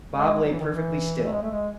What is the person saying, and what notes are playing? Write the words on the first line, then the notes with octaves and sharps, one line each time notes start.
Bob lay perfectly still.
G#3
F#3
E3
D#3
E3
A3
G#3
A3
G#3